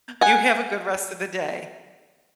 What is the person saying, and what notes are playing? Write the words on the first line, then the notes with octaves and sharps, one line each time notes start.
You have a good rest of the day.
F#5 G#5